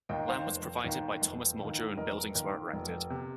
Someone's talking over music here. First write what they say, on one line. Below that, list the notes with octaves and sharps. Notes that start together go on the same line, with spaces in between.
Land was provided by Thomas Muldrow and buildings were erected.
D#2 D#3 D#5 G5
C5 F5
F1
D#2 D#3
F1
D#2 D#3
F1 A#4 D#5
D#2 D#3
F1
C3